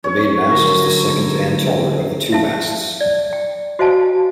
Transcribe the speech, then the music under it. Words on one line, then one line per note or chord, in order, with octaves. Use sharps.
The main mast is the second and taller of the two masts.
C#5
D3 F#3 A#4
E5 F5 A5
D5
G5
F#4 C5 D#5 F5 G#5 A5